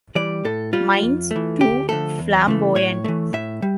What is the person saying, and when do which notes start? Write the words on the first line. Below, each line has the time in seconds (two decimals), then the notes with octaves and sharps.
Mine's too flamboyant.
0.15 E3 G3 D5
0.45 A2 A4
0.73 G3 F4
1.03 F2
1.31 E3 A3
1.60 D2 G4
1.89 D3 F3 A3 A4
2.19 E2
2.47 C#3 E3 A3
2.75 A2 C#5
3.04 E3 A3
3.33 A2 E5
3.62 G3